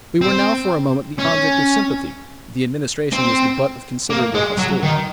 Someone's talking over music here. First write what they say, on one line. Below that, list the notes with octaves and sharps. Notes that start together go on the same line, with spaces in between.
We were now for a moment the object of sympathy; the Administration was the butt of considerable hostility.
C4
C#4
C4
A#3
G#3
F#3
D#3